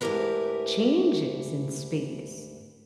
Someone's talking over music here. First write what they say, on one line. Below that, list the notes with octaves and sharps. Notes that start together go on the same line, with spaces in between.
changes in space.
D2 G#2 E4 G4 A#4 B4